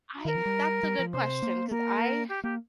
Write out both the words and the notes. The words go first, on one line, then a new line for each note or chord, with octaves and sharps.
I that's a good question 'cause I
D#3 A#4
F3
G3
G3
F3
C3 C5
A#3
A#3 A#4
G4
A#3 G4